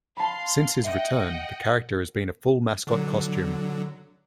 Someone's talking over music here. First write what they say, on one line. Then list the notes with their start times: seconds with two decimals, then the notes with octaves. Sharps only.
Since his return, the character has been a full mascot costume.
0.17 F5 A5 B5 C6
0.84 D#5 E5 F#5 G5
2.87 D3 F#3